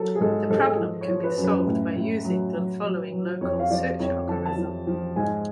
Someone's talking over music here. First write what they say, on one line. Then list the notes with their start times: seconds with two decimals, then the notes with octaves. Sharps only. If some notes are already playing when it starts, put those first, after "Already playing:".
The problem can be solved using the following local search algorithm.
Already playing: F#3 A4
0.15 G#4
0.20 G#2 A4
0.50 G#2 A4
0.57 G#4
0.65 A4
0.79 F3
1.01 C#5
1.08 F3
1.24 B4
1.37 F#2
1.44 B4
1.67 A2
1.96 A2
2.25 F#3
2.54 F#3
2.83 F#3
3.12 F#3
3.41 F2 C#5
3.60 F5
3.70 F3 D5
3.99 F2 C#5
4.28 F3 A5
4.45 A5
4.58 F3
4.87 F3
5.16 G#2 G#5